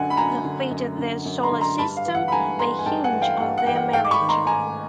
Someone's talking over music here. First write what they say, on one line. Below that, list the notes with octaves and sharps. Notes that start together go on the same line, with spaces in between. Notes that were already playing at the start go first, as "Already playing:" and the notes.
The fate of their solar system may hinge on their marriage.
Already playing: F#2 D3 F#5 G#5
B5
F#2 G#5 A#5
D3
F#2
D3
F#2
A#5 C6
D3
A#5 C6
G2 A5 B5
F5
E3
F#5
B5
G2 G#5 A#5
E3 A#5 C6
G#5
G2 G5 A5
F#5 G#5
E3
F5 G5
G2 F#5
F#5
E3 G5
F#5
G#2 F5 G5
D6
B5 C#6
D#3
A#5 C6
G#2 G#5 A#5